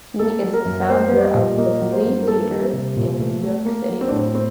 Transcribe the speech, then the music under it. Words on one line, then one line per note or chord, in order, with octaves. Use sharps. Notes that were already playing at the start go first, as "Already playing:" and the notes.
He is the founder of The Flea Theater in New York City.
A#3 A4
F#3
A#4
F#2
A#3 C5
G3
D5
D#5
A#2
A#3 D#5
F#3
C5
G2
A#4
A#3 A4
G3
C4
C3
A#2
A3
A3
A#3
F#3
C4
D4
A2
C4
C4